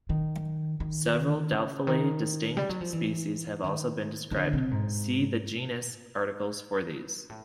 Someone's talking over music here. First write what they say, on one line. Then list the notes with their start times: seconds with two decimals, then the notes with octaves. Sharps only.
Several doubtfully distinct species have also been described; see the genus articles for these.
0.09 D#3
0.80 D#3
1.51 C#3
1.87 D#3
2.57 G3
2.69 F#3
2.81 F3
2.93 E3
3.64 D#3
4.31 D#3
4.36 D3
4.53 C3
4.71 G#2
7.30 A2